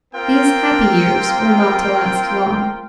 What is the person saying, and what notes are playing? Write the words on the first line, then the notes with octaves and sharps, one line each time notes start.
These happy years were not to last long.
A#3 C4 F4 A#4 G5